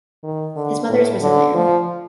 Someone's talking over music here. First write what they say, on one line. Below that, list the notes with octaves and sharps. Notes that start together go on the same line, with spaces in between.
His mother is Brazilian.
D#3
D3
A2
D3
F3